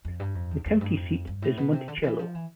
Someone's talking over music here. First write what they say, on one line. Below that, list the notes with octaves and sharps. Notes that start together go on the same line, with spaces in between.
The county seat is Monticello.
F2
G2
F2
E2
F2
G2
F2
G2
A2
B2
C3
D3
D3
E3
F3
E3